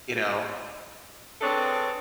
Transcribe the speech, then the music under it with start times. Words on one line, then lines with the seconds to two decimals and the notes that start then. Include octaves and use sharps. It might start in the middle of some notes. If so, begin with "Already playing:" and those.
You know
1.41 C4 D4 G#4 A4 B4 C#5